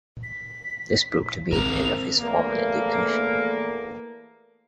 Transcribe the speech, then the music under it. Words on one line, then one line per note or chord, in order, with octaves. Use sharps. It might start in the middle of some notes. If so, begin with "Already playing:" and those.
This proved to be the end of his formal education.
B6
G#1 F2 D3 C4 A#4 F7
E2 A3 A#3